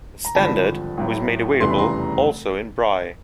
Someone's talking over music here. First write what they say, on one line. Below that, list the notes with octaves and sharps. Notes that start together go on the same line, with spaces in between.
The standard was made available also in Braille.
A#5
G#1 G2 D3 F3 A5 B5
A1 A2 F#3
F1 E2 C#3 E3 G3 C6
B5
A#5 C6